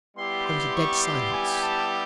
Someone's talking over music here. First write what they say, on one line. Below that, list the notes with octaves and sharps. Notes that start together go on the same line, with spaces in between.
There was a dead silence.
G3 B3 E4 G4 C6
C6
C#6
C6
G#5
A5